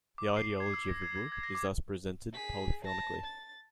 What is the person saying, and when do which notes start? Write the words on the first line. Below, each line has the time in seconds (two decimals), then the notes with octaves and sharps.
The ideology of the book is thus presented polyphonically.
0.18 D6
0.37 C7
0.60 G#6
0.74 E6
0.89 A#6
1.02 G#6
1.16 G#6
1.32 G#6
1.43 A#6
1.55 D6
2.33 G#4 B6
2.85 A5 A#6
3.25 A6